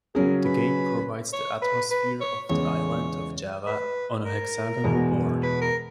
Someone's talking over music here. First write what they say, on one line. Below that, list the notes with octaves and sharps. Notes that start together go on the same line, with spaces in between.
The game provides the atmosphere of the island of Java on a hexagonal board.
C#3 F#3 C#4 G#4 A#4
B4
C#5
B4
B4
C#5
E2 C#3 G#3 C#5
B4
A#4
E2 B2 G#3
B4
A#4